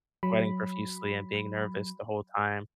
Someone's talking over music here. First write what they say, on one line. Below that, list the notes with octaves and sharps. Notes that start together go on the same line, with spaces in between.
sweating profusely and being nervous the whole time,
F#3 B5